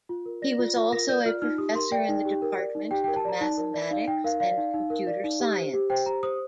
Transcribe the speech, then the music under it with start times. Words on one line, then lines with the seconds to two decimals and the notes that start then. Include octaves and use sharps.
He was also a professor in the department of mathematics and computer science.
0.09 F4
0.26 A#4
0.42 D5 A#6
0.59 F4
0.76 F4
0.92 A#4 A#6
1.09 D5 G6
1.25 F4 F6
1.42 D#4 F6
1.58 G4 D#6
1.75 A#4 C6
1.92 D5 G5
2.09 D#4
2.25 G4
2.42 A#4
2.58 D5
2.75 D#4
2.91 G4 G5
3.04 G5
3.08 A#4
3.16 A5
3.25 D5 A#5
3.41 D#4 A5
3.57 A#4
3.74 D5
3.91 D#4 F5
4.07 D#4 G5
4.24 A#4 F5
4.40 D5 F5
4.58 D#4
4.74 D#4
4.90 A#4
5.07 D5
5.24 D#4
5.40 G4
5.57 C5
5.73 G4
5.90 C5 G5
6.06 G4 A#5
6.23 C5 D#6